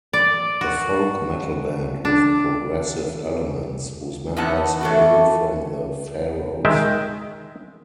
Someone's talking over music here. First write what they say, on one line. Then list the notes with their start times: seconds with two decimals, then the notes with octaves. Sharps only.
A folk metal band with progressive elements, whose members hail from the Faroes.
0.13 D5
0.61 F#4
2.05 D4
4.37 E2 E3 B3 D#4 F#5 A5
4.81 E3 A3 F#4
6.65 D#3 G#3 E5 G5